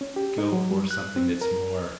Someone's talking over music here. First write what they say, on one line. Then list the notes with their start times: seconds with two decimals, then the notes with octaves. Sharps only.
go for something that's more
0.01 C#4
0.16 G4
0.38 D#4
0.52 F#3
0.71 G3
0.91 F#6
1.16 C4
1.41 A#4